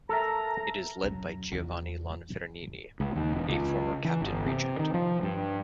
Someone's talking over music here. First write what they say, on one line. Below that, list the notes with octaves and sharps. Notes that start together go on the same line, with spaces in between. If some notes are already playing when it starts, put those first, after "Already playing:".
It is led by Giovanni Lonfernini, a former Captain-Regent.
A4 A#4 E5 A#5
E1 F#2
E2 F4
C#2
D#2
E1
C#2
E3
G1
C3
D#3
F3
G2